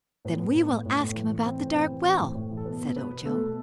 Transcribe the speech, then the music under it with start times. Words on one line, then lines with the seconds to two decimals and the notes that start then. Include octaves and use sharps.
"Then we will ask him about the dark well," said Ojo.
0.25 A2 B3 B4
0.39 A2
0.55 A2
0.69 A2
0.86 A2
1.00 A2
1.15 E3
1.30 E3
1.45 E3 C4 C5
1.61 A2
1.75 E3
1.90 E3
2.05 E3
2.21 A2
2.35 A2
2.51 E3
2.57 A4
2.65 B2 B3 B4
2.81 B2
2.96 B2 B3 B4
3.12 B2
3.25 B2 A3 A4
3.41 B2